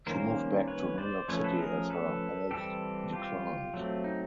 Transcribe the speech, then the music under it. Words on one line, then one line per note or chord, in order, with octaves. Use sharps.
She moved back to New York City as her health declined.
D#3 G3 A#3 C#4 A#4 C5
B4 C#5
C5 D5
F3 A3 C#4 B4 C#5
A4 B4
G#4 A#4
A4 B4
E3 G3 C4 G4 A4
F4 G4
F#3 A3 C4
D#4